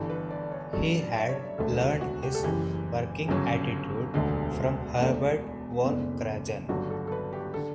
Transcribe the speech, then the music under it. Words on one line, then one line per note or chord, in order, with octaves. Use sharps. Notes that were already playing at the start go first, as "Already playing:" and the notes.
He had learned his working attitude from Herbert von Karajan.
Already playing: G1 G2 E3 A4
B4
D5
C#5
G2 F#3 A3 C#4 A4
D5
E5
C#5
D5
E1 D2 D3 A3 A4
F#4
F#4
G4
A4
F#1 F#2 C#3 E3 G4
G1 F#2 C#3 F#3 C#4
E1 D2 D3
E1 E2 B2 A3 D4
F#1 E2 B2 A3 D4
G1 G2 F#3 A3 F#4
A4
A4
B4
G4
D3 A4